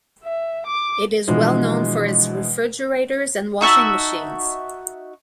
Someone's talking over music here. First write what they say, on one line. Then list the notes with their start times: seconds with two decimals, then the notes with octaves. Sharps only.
It is well known for its refrigerators and washing machines.
0.23 E5
0.67 D6
1.28 B2 D3 E3 F3 G#3
3.61 D#4 F#4 E5 A5